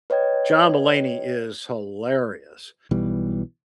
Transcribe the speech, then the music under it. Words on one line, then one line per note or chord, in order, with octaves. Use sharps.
John Mulaney is hilarious.
B4 C#5 D#5 G5 G#6
B1 B2 E3 G3